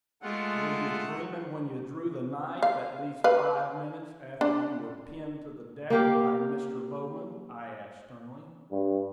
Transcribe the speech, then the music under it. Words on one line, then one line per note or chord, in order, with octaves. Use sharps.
"Were you dreaming when you drew the knife, at least five minutes after you were pinned to the deck by Mr. Bowman?" I asked, sternly.
G#3 A3 F4 F#5
F5
B4 F5
D4
A#3 G4 F5
G2